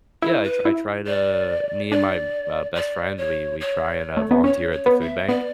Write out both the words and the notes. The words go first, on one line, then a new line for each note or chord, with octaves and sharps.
Yeah, I I try to me and my, uh, best friend, we we try and, uh, volunteer at the food bank,
E4 A4
B4
E4
D5
D4 D5
D5
C#5
C#5
A3
B3
C#4 C#5
C#5
B3
E5
B3 D5